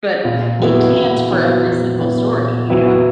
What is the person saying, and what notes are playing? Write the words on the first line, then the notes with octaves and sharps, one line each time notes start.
but it can't for every single story, you know?
A#2
F#3 B3 E4
A#2
F#3 B3 E4
A#2
F#3 B3 E4
A#2
F#3 B3 E4